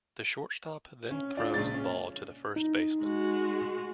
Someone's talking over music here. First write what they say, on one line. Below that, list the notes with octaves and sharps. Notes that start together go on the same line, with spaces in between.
The shortstop then throws the ball to the first baseman.
C#4
D4 F4 D5
A#1 C#3 G#3 A6
C#4
D#4
G#3 F#4